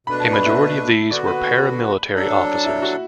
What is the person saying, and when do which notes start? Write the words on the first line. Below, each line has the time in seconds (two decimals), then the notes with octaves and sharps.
A majority of these were paramilitary officers.
0.07 B2 A3 D4 B4 B5
0.20 A5
0.33 B5
0.46 E5
1.10 D3 B3 F#4 D5
1.27 B4
2.13 F#3 D4 A4
2.65 E4
2.82 F#4